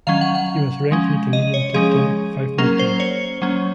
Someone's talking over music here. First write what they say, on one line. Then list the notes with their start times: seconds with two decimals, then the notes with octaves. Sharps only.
He was ranked in the Canadian top-ten five more times.
0.07 D#3 F#3 C#4 F5
0.21 F#5
0.35 F#5
0.91 F3 G#3 C#4
1.33 D#5
1.54 C#5
1.74 F3 G#3 C#4 G#4
2.58 F#3 A#3 C#4 A#4
2.79 C5
3.00 C#5
3.42 F#3 A#3 C#4